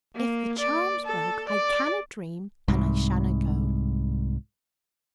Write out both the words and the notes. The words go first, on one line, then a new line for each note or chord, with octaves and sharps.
'If the charm's broke, I canna dream, and I shanna go.'
A#3
D5
A4
D5
C2 G#2